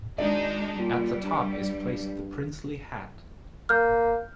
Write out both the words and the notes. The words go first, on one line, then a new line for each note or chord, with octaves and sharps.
At the top is placed the Princely hat.
G#1 G#3 D4 D#4 D5
A#2 G3
G2
A#3 F6 G6